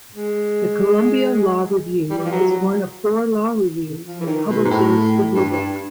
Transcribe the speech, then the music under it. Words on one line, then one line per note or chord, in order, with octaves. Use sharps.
The "Columbia Law Review" is one of four law reviews that publishes the "Bluebook".
G#3
G3
E3
F3
F#3
F3
E3
D#3
B2
G#2
A2
G2
G2